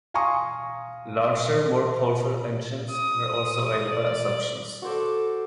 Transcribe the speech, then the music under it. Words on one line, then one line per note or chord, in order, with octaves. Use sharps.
Larger, more powerful engines were also available as options.
F5 G#5 A#5 C6 C#6 D#6
D#6
D5
F#4 A4 C5 D5